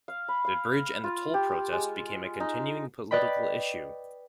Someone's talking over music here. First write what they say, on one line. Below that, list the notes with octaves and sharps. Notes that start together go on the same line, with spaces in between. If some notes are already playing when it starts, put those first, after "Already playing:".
The bridge, and the toll protest, became a continuing political issue.
F5
B5
F5
F4
G4
G4
G#3
D#4
B4 D5 D#5 G5 B5